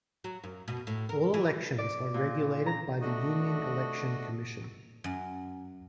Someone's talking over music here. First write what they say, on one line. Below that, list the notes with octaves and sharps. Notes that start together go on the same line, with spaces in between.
All elections are regulated by the Union Election Commission.
F#3
F#2
B2
A2
A#4
E3
D5
A#2
A#5
A3 D4 F#4 D#5
F#2